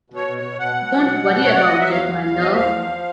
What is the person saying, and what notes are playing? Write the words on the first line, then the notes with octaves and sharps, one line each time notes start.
Don’t worry about it, my love.
B2
C#5
B2
C#5
B2
B2 F#5
B2
F#3
B2
F#3
F#3 C#5
F#3 D5
D#5
F#3 E5
E2 F5
E2
E2
F3 D#5
E5
E2 F5
F3